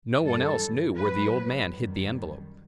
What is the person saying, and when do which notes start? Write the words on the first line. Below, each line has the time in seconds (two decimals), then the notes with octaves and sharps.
No one else knew where the old man hid the envelope.
0.21 G2 E3 G3 A4
0.98 A2 F#3 B4
1.74 F#2 D#3 G3